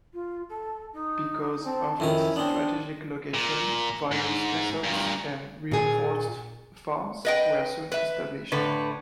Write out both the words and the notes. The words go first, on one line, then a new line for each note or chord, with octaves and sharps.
Because of its strategic location, various castles and reinforced farms were soon established.
F4
A4
D#4
C4 A5
F2 D#3 C#4 E4 A#5
B3 C4 D4
A#2
G#2
G2 A#2
A#2 G#4
B4 D#5 G5
B4 E5
A2 D3 B4